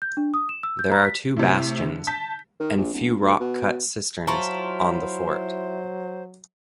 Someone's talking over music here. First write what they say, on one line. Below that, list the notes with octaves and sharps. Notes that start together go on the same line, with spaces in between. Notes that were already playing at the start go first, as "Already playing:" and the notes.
There are two bastions and few rock cut cisterns on the fort.
G6
D4
D#6
E7
E6
G6
A#5
B6
A2 C3
D3
A5 G6 B6
D#3
A#1
D1
D2
B2
F#3 E4 F4 C5 A5 A#5 C#6